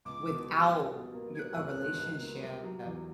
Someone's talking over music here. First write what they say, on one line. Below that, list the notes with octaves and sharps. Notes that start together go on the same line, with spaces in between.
without y a relationship
C#2 D6
B2
G3
G3
B2
A#3
G3 F#6 G#6
C#2
B2
C#2
A#3
G3
F#3
E2